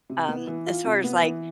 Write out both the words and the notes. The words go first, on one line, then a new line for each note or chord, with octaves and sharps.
Um, as far as, like
C3
B3
E3
F4
C3
B3
E3